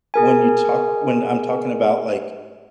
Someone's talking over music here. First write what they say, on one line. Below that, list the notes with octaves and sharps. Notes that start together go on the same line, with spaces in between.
when you talk when I'm talking about, like,
G#4 A#4 G#5